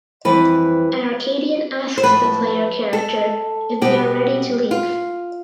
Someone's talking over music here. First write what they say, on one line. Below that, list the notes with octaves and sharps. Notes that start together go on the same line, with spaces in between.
An Arcadian asks the player character if they are ready to leave.
F2 E3 G3 B4
C5
A2 F3 A3 B4
A4
B2 G3 G4
F4